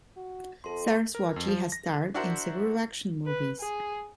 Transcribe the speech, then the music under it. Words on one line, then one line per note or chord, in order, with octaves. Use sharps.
Saraswati has starred in several action movies.
F#4
F2 A4 C6
A#4
F2
F3
A#6
D4 E4 F#4 A#4 C5
B4
G#4